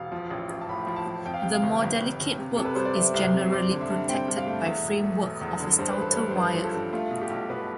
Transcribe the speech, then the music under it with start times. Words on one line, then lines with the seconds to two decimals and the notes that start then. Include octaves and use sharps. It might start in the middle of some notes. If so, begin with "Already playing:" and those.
The more delicate work is generally protected by framework of stouter wire.
Already playing: E1 F5
0.12 F3
0.30 A1
0.50 A1
0.61 A5
0.69 A2 B5
0.87 F3
0.96 A5
1.06 F3
1.25 F2 G5
1.34 F5
1.42 C3 G5
1.54 F5
1.63 G1
1.82 G1
2.00 G1
2.20 G1
2.39 C3
2.57 C3 A4
2.65 B4
2.75 G3 C5
2.85 D5
2.95 C3 E5
3.14 C2
3.33 C3
3.52 C4 D5
3.71 D3
3.81 E5
3.90 G2
4.09 C4 G5
4.28 G2
4.37 F5
4.47 A3
4.65 E2 E5
4.84 E1
5.03 A3
5.22 E1
5.41 E2
5.60 D3
5.78 G2 C5
5.90 B4
5.98 A1 A4
6.12 G2 B4
6.31 C5
6.36 A1 B4
6.54 F3 B4
6.64 A4
6.74 G2
6.93 A3 F4
7.11 B2
7.21 G4
7.30 B1
7.49 B2 B4